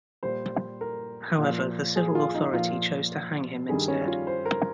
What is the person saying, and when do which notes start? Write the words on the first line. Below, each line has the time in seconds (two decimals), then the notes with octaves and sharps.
However, the civil authority chose to hang him instead.
0.23 A#2 G3 C5
0.81 A#4
1.38 A#2 F3
1.96 G#4
2.15 F4
2.34 D#4
2.53 A#2 F3 F4
3.68 G2 D#3 G3 G#4
3.88 C#4
4.07 F4
4.27 C5
4.46 A#4